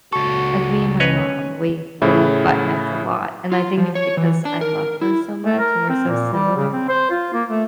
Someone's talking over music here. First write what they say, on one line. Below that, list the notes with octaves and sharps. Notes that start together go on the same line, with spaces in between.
like, me and my mom, we we butt heads a lot, and I think it's because I love her so much and we're so similar,
C#2 F#4 A4 C#6
C#4 B4 C#5 D#5
A2 C#3 E4
F4
F3
C#5
E3
D4
A#4
E4
A3
A#4
C4
A#2
G3
C#3
C4
C5
F4
A#3
A3